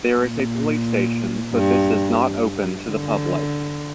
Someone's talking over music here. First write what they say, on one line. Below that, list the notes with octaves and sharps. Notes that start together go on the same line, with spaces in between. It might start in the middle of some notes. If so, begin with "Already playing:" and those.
There is a police station but this is not open to the public.
A#2
G2
D3